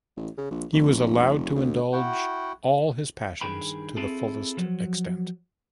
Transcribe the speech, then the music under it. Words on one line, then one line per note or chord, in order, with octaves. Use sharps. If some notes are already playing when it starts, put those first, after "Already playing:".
He was allowed to indulge all his passions to the fullest extent.
A1
C#3
A#1
F1
D2
E4 F#4 F#5 G5
G2 D#3 G#4 B4 G5 B5
C4 E4 F4 G#4 A4
F3 F#3